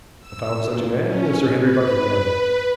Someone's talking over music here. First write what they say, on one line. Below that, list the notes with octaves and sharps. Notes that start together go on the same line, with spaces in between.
I found such a man in Sir Henry Buckingham.
E6
A#2
C#4
B4